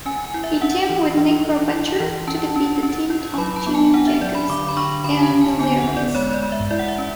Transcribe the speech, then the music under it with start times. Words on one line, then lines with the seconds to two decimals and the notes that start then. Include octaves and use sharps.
He teamed with Necro Butcher to defeat the team of Jimmy Jacobs and Delirious.
0.06 C#4 G#5
0.24 G#5
0.34 E4
0.44 E5
0.61 C#4 F#5
0.89 E3
1.17 E3
1.45 E3
1.72 E4
2.00 E3
2.27 C#4 A5
2.56 C#4
2.83 C#4
3.10 E4
3.38 F#3 B5
3.56 A5
3.66 B3
3.75 G#5
3.94 D4 F#5
4.08 E5
4.21 F#3 D5
4.35 B5
4.50 D3 D6
4.69 B5
4.77 D4 C#6
5.04 D3 B5
5.23 A5
5.33 D3
5.41 G#5
5.59 B3 G#5
5.73 G#5
5.79 F#5
5.88 B3
5.97 D5
6.15 G#3 C#5
6.34 D5
6.43 G#3
6.52 E5
6.71 E4 D5
6.79 F#5
6.88 E5
6.98 C#4